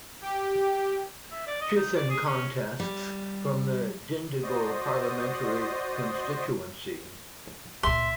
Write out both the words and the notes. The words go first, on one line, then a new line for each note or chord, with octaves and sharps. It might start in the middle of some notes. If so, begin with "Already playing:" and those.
Chithan contests from the Dindigul Parliamentary constituency.
G4
E5
D5
D#5
D#4
D5
G#4
C#4
G3
F#4 C5 D5 D#5 C6 D#6
C#2 A#2 E5 C6